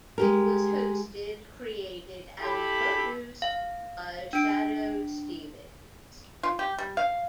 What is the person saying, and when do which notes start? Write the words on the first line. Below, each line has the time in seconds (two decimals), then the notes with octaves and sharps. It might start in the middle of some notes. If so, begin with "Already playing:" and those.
It was hosted, created and produced by Shadoe Stevens.
0.18 G#3 G4 A#4
2.41 E4 G4 A4 B5
3.42 F5
4.33 D4 D7
6.43 F4
6.59 G4
6.78 G3
6.97 F5